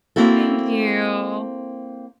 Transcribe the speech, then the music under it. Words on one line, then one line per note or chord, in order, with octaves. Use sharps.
Thank you.
A#3 C4 E4 F#4 A4